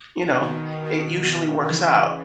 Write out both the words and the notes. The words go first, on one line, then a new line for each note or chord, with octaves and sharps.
you know, it usually works out.
B2 D#3
B2 D#3
D#3
C#3 E3